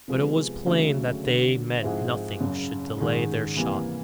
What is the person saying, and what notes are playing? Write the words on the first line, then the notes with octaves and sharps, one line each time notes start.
But it was plain that they meant nothing should delay their shot.
C3 F3 G#3 B3
D2 C#3 F#3 A3
D2 D3 F#3
G#2 F3 G#3 C4 E4
F#1 F#2 C#3
G#2 D#3 G#3
C3 E3 G3 A#3